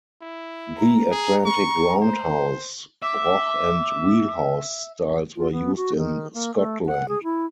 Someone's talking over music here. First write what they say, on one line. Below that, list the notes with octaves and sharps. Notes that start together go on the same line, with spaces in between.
The Atlantic roundhouse, Broch and Wheelhouse styles were used in Scotland.
E4
A#5
G#4
C#6
C5
E5 D6
F4
B3
F#4
D#3
A#3
A3
F#5
G#4
E4